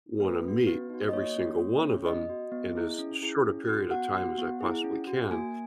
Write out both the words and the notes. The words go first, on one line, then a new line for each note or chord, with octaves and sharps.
wanna meet every single one of 'em in as short a period of time as I possibly can.
A#3 B4
C#4
F#4
B3
D#4 F#4
D#5
A#3 C#5
C#4 F#4
A#3
C#4 G#4
B3 D#5
F#4
B3
E4 G#4
C#4
E4 G#4
C#4
F#4
B3 F#5
F#4
B3
E4 G#4
C#4
F#4
A#3 G#5